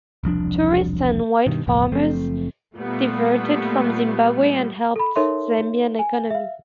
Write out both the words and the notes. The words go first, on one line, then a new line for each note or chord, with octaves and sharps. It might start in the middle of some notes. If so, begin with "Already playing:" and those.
Tourists and white farmers diverted from Zimbabwe and helped Zambian economy.
E1 C2 F3 D4
G2 B2 D#3
E1 C#2 A2 F3
F#1 F3 A3 C4
A#2 G3 A3 B3
A4 B5
D#4 A4 A#4 C#5 E5 C6
G#5
E5 F5